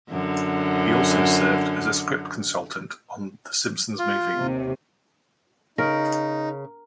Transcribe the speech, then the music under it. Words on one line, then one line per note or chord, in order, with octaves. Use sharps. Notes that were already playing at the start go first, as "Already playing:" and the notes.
He also served as a script consultant on "The Simpsons Movie".
F#2 D3
F4
D#2 C3
C#3 D#4 A#4